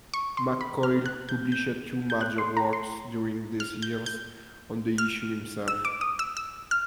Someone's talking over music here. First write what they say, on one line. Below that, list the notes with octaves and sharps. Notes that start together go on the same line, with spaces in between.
MacColl published two major works during these years on the issue himself.
C#6
C6
B5
F6
F#6
G6
G6
G6
F#6
C6
A#5
C6
F6
G6
G6
F6
E6
D6
D#6
E6
E6
F6